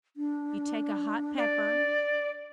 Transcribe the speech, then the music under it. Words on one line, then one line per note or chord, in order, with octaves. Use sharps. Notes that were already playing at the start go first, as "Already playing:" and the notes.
you take a hot pepper
D4
D5